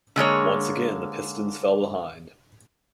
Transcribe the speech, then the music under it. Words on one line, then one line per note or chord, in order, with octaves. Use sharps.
Once again, the Pistons fell behind.
D3 G#3 A#3 C#5